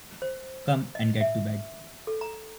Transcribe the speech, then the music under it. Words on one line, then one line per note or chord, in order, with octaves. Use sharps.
Come and get to bed.
C5
D#5
E5
A4
A#5